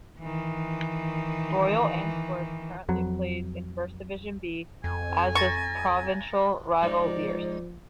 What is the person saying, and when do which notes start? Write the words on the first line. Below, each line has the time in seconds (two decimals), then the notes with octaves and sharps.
Royal Antwerp currently plays in First Division B, as does provincial rival Lierse.
0.20 D#3 E3
2.89 F2 F#3
4.84 F2 G#5
5.35 A#5 C#6 A6 A#6
6.83 F3 G#3 D#4 C5 D5